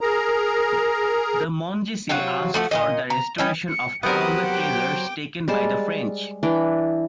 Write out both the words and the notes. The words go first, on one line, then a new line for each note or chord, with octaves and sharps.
The Monzesi asked for the restoration of all the treasures taken by the French.
G#4 A#4 A#5
C3 F#3 F4 F#4
F3 A3 F#4
A#2 G#3 D#5
A#5
G3 C#4 D#5
C#7
F#3 B3 C4 G4 A#4 C5 F#5 D#6
G5 D6
G3 G#3 C5 A5
E3 D4 G5